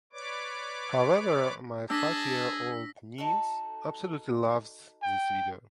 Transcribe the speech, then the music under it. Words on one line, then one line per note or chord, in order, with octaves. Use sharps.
However my five year old niece absolutely loves this video.
B4 C#5 D5 D6
D4 G#4 A5 E6 A#6 B6
D#4 F#4 A4
G5